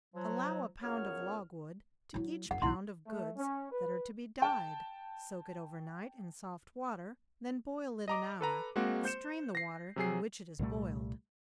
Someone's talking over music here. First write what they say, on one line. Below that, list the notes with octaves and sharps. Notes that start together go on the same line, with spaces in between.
Allow a pound of logwood to each pound of goods that are to be dyed. Soak it over night in soft water, then boil it an hour, and strain the water in which it is boiled.
F3 F#3
C#2 F#2 B3 C#5 F6
F#3 E4
F#2 F#5
B1 E2 E4 F#5 C6
A3
C#4
B4
G5 A5
D#5 A#5 D6
A4 B4 A#5
G#3 A#3 C4 F#4
C5 G6 C#7 E7
A#6 C7
C3 F#3 G#4 C7
C2 A#2 G3 A3